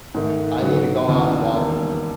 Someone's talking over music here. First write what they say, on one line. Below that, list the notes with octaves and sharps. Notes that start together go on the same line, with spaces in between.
I need to go out and walk more.
G#2 D#3 A3
G#2 F#3 B3 F#4
E1 D#2 C#3 E3
E1 D#2 D#3